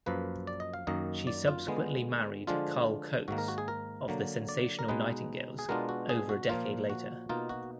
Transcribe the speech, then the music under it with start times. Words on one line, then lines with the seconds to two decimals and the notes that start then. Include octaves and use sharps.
She subsequently married Carl Coates of the Sensational Nightingales over a decade later.
0.06 F#2 F3 A#3 B4
0.47 D5
0.60 D#5
0.74 F5
0.87 F#2 D#3 A#3 D#5
1.27 D5
1.48 F4
1.67 D3 G#3 B3
2.47 D3 F3 G#3 D4 F4
3.28 G#2 D#3 A#3 F#4
3.38 A#4
3.48 F#4
3.58 G#4
3.68 A#4
4.08 D3 F#3 A#3
4.49 D5
4.79 A#4
4.88 B2 G#3 D#4 B4
5.59 G#4
5.69 B2 G#3 B3 D4 F4 A#4
5.89 F#4
6.09 G#4
6.29 F#4
6.49 A#2 F3 A#3 F4
6.90 F#4
7.29 B2 A#3 D#4 F4
7.49 F#4